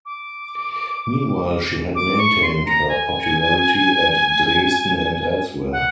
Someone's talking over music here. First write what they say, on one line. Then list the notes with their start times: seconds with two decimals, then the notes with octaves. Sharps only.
Meanwhile, she had maintained her popularity at Dresden and elsewhere.
0.06 D6
1.95 D6
2.18 C#6
2.42 C6
2.66 A#5
2.89 G#5
5.72 F#5